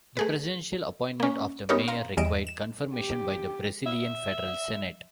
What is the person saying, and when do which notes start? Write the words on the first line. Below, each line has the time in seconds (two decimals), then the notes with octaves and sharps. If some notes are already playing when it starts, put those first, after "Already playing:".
The presidential appointment of the mayor required confirmation by the Brazilian Federal Senate.
0.17 A3 G#4 B4
1.20 A#3 C#4
1.69 B3 C#4 D#4 G4 A#4 C#5
1.88 F5 A#5 C6
2.17 E2 E3 G3 D#5 D7 E7
2.47 E7
2.95 G4
3.86 E5